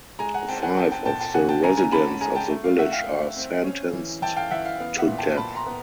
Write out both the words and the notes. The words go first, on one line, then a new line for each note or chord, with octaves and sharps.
Five of the residents of the village are sentenced to death.
G#3 G#5 A#5
F#5 G#5
C4 G5 A5
F#5 G#5
C4 G5 A5
G5 A5
A#2 G5 A5
G5 A5
C#3 F#5 G#5
G5 A5
C#3 G#5 A#5
G#5 A#5
C#4 A5 B5
G#3 G#5 A#5
G5 A5
A3
F5
A3 E5 F#5
F5 G5
A3
C4
C#4
E3
E3 G5 A5
F5 G5
E3 E5 F#5
F5
B3 F5
E5 F#5
A#2
G5 A5
A#2 A5 B5
A#5 C6
B3